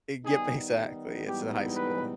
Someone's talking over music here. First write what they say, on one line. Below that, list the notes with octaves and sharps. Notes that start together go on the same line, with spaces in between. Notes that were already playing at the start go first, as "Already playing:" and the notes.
A g exactly it's in high school.
D#3 G3 B3 D#4 G#4
G#2 E3 G3 B3 D#4 G4
B4